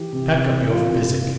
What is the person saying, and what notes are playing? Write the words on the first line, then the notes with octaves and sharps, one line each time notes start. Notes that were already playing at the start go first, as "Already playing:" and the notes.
Pack up your physic.
Already playing: E3 G4
C3
C3
E3
E3 F4
C3
C3